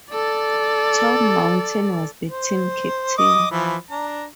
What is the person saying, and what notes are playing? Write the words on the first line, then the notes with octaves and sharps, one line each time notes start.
Tom Mountain was the team captain.
A4 D5
C5
D#5 D6 D#6
E3 F3 B5
D4 A#5